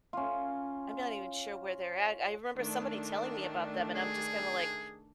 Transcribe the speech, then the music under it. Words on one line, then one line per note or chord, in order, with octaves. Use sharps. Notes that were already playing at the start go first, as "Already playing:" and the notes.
I'm not even sure where they're at, I remember somebody telling me about them, and I'm just kinda like,
C#4 F4
D#3 A3 D4
G#4